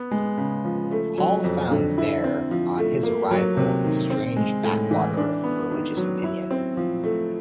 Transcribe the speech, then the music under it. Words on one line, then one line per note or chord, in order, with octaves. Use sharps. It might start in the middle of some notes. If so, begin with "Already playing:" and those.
Paul found there, on his arrival, a strange backwater of religious opinion.
Already playing: B3
G#3
C#3
F3
A3
F#3
F2
D3
E4
C4
F3
A3
A#3
F#3
C3
D#3
C4
G#3
A2
E3
D4
B3
D#3
F#3
E4
C4
F3
A3